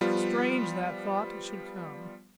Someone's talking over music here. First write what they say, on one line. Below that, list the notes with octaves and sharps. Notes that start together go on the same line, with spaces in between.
Strange that thought should come!
F3 G3 B3 F4